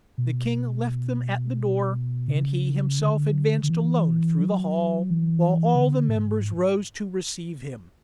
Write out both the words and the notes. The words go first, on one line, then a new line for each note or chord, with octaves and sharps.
The king left them at the door, and he himself advanced alone through the hall, while all the members rose to receive him.
B2
C#3
D3
D3
E3
F#3
E3
C#3
D3
A2
G#2